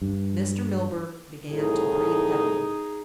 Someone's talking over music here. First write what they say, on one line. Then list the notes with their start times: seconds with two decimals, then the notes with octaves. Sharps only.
Mr. Milburgh began to breathe heavily.
0.02 G2
1.51 C2 A2 D#4 G#4